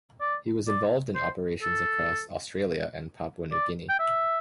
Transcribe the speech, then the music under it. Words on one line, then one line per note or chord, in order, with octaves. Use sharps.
He was involved in operations across Australia and Papua New Guinea.
D5
D5
C5
A4
D5
G5
E5